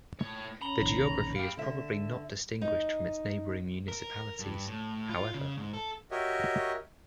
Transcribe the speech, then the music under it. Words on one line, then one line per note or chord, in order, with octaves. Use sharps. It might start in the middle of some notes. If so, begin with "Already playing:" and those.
The geography is probably not distinguished from its neighbouring municipalities however.
A2 C#5
C#4 A#5 B5 F#7 G7
E1 A#1 D#3
G4 F5 D7
D3 E5
D#4
A#4
G2
A2
F4
C#3
G#2
A4
F#4 G4 A#4 C#5 D#5 E5